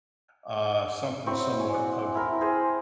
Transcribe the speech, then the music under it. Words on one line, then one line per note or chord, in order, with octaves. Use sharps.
uh, something somewhat ugly.
F#3 C4 E4 C#6
G#5
D5 F#5
E4 A#4
G#4 C5 C6